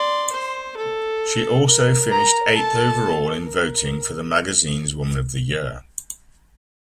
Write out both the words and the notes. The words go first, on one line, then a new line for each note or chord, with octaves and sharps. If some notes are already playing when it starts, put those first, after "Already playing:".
She also finished eighth overall in voting for the magazine's Woman of the Year.
Already playing: D5 C6
C5
A4
A#4
A#5
A4 A5
A#4